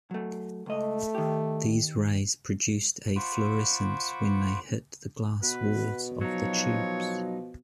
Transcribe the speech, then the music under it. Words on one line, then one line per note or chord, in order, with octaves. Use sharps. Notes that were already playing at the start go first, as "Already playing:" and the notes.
These rays produced a fluorescence when they hit the glass walls of the tubes.
F#3 A3
C#2 A3 D#5
D#3 G4
F4 C5 F#5 B5 C#6 D6
B2 B3 B4
F3 F#3 D#4 C#5